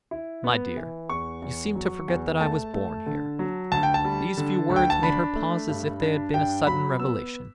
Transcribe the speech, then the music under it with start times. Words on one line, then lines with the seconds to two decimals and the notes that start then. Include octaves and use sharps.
"My dear, you seem to forget that I was born here." These few words made her pause as if they had been a sudden revelation.
0.11 E4
0.44 B3
0.77 E3
1.09 E2 C#6
1.42 E2
1.75 F#3
2.08 E2
2.40 A3 A5
2.74 A3
3.06 D3
3.39 F#3
3.72 D2 A5
3.83 G5
3.94 A5
4.05 G3
4.37 D3
4.70 D2
4.76 G5
4.90 A5
5.03 D4 B5
5.36 A3
5.69 G2
6.01 D4
6.34 G2 G5
6.67 F#3 B5
7.00 B3 E6